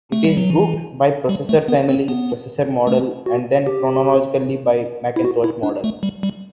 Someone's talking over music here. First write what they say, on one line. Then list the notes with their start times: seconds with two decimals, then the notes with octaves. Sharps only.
It is grouped by processor family, processor model, and then chronologically by Macintosh model.
0.12 A3
0.24 G3
0.37 F#3
0.50 E3
1.29 G3
1.49 A3
1.68 B3
1.89 C4
2.08 B3
2.87 A3
3.26 F#4
3.67 G4
5.16 E4
5.25 F#4
5.44 E4
5.63 D4
5.84 A3
6.03 G3
6.23 G3